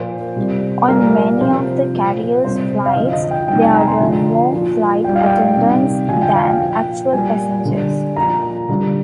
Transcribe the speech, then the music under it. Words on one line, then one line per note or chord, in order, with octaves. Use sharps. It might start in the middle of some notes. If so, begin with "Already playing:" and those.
On many of the carrier's flights, there were more flight attendants than actual passengers.
Already playing: A#2 F3 C5
C3 G3
A#2 G3 A#4
C3 F3 C5
A#2 F3
C3 G3 C5
F5
D3 F3 D#5
D#5
G5
C3 D#3 G3 G5
G#5
A#5
C6
D3 F3
A#2 F3
A#2 G3 G5
F5
G5
C3 D#3 G3
D3 F3 G#5
G5
F5
G5
A#2 F3
A#2 G3 G#5
D3 G3
A#2 F3 A#5
D3 G3